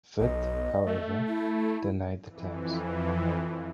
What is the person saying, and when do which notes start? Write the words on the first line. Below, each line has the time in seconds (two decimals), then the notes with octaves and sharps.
Vitt, however, denied the claims.
0.21 B1 D#5
0.87 A3
1.28 E4
2.28 F2 E3